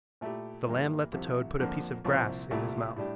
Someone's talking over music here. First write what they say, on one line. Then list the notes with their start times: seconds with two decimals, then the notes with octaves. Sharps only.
The lamb let the toad put a piece of grass in his mouth.
0.21 A#2 A3 E4 G4
0.66 G2 E3 G3 A#3
1.13 C2 C3 F3
1.59 F2 D3 F3 A#3
2.05 C2 A#2 F3 C4
2.51 C2 A#2 A3 E4 G4
2.96 A2 G3 D4 G4